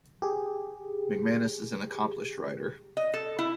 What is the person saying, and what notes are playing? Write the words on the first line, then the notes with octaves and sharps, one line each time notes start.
McManus is an accomplished writer.
G4 G#4
D#5
A4
E4